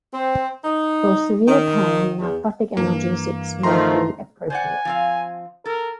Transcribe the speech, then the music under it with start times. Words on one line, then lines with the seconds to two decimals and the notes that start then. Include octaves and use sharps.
For severe pain, narcotic analgesics may be appropriate.
0.13 C4
0.64 D#4
1.47 D#3
2.21 E2
2.77 G2 E3 A#3
3.63 D#3 F3 A3 A#5 C6
4.50 C5 D5 F#5 G#5
4.85 F3 C4 F5
5.66 A4 A#4